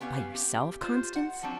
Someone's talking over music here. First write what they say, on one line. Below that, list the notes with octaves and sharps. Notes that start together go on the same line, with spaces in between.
"By yourself, Constance?"
B3 C#4 G4 F5
G4
F4 C5
F#5
F3 F#3 C4 D4